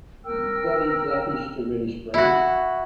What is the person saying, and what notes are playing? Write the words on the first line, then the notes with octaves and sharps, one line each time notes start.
Body blackish to reddish brown.
A#4 G5 E6 F6
E4 F#4